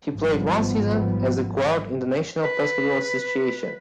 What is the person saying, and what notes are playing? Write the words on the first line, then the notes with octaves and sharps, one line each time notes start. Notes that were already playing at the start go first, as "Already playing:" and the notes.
He played one season as a guard in the National Basketball Association.
G#1 G#2 F3 G3 B3
B4